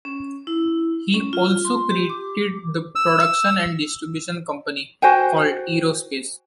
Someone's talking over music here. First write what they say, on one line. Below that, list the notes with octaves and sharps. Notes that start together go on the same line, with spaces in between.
He also created the production and distribution company called Eurospace.
C#4
E4
C#4
F4
C6
G4
D6
E6
F#4 C5 G5 G#5